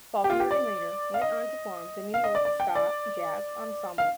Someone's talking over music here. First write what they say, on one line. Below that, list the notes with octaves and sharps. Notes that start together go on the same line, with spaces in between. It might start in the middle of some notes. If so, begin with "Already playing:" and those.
Faulkner and Reiter went on to form the New York Ska Jazz Ensemble.
G4
F4
G4
D5
F5
D#5
F5
D#5
D5
D5
G5
D5
F5